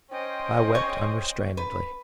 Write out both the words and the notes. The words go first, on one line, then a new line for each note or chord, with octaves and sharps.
I wept unrestrainedly.
C#4 C5 D#5 G5
C#5
B4